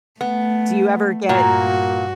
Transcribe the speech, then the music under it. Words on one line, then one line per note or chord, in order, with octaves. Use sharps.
Do you ever get,
A3 B3
G2 A#2 A#3 F#4